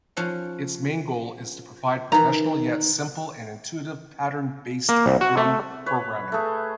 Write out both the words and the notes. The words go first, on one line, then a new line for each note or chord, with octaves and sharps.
Its main goal is to provide professional yet simple and intuitive pattern-based drum programming.
F3 C#4 F#5
D#3 E3 A#5
A#3
C2
F#4
A3
B4 C#5
A3 G#4